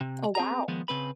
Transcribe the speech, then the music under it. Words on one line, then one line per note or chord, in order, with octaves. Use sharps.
Oh, wow.
C3
C4 G#4 A#5
D#3 F3 G#3 B3
C#3 C4 B4 B5